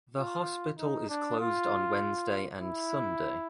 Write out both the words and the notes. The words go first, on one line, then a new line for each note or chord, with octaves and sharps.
The hospital is closed on Wednesday and Sunday.
F4
D#4
D4
F4
E4